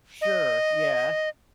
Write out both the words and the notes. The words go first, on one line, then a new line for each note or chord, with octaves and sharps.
Sure, yeah.
D#5